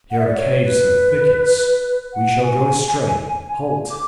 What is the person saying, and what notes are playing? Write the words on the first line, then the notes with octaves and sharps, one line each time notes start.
Here are caves and thickets: we shall go astray!--Halt!
F#5
E5
D5
C#5
B4
F#5
G#5
D6